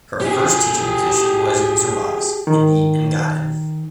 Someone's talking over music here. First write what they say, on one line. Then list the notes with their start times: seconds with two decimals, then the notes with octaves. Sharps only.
Her first teaching position was in Zuoz in the Engadin.
0.22 G4 G#4
2.47 D#3